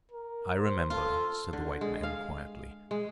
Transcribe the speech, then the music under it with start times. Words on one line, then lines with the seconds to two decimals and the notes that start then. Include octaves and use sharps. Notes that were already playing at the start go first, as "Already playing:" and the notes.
"I remember," said the white man, quietly.
0.12 A#4
0.58 C5
0.90 F4 A4
1.53 D3
1.81 G#3
2.03 F5
2.91 G#3